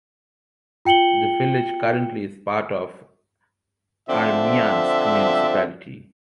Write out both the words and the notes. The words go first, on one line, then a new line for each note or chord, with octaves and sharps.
The village currently is part of Armyansk Municipality.
F4 G5 C#7 F#7 G7
D3 F3 C4 D5 E5